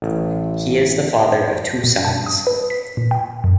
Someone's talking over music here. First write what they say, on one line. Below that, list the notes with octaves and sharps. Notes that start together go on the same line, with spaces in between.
He is the father of two sons.
A1
B2
A5
D#6
B4
B6
A#2
G5
F#2